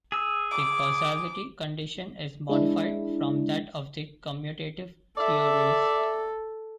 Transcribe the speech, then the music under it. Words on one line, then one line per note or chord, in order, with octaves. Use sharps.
The causality condition is modified from that of the commutative theories.
G#4 E6
D6
G#3 D4 E4
A4 D5 E5